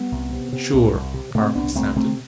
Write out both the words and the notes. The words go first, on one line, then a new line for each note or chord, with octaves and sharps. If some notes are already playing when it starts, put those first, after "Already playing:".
"Sure," Park assented.
Already playing: G3 B3
C2
C3
C3
C2
C2
C3
C3 A3 C4
C2 B3 D4
C2 A3 C4
C3 A3 C4